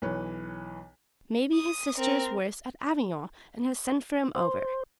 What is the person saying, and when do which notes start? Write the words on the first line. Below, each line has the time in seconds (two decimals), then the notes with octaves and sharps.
May be his sister is worse at Avignon, and has sent for him over.
0.02 B1 E3 B4 C#5
1.53 D#6
1.97 C4 A#4
4.35 C5